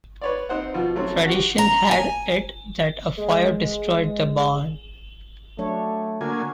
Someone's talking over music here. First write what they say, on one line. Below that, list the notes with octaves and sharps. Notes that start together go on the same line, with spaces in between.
Tradition had it that a fire destroyed the barn.
B4 C#5 D5
C4 D#4 C5 F#5
B2 F3
F#3 A3 C4 C#4
F#4 G4
A#5
G#5
G#3
F#3 A3 D4 C#5
D3 A#3 F#4 G#5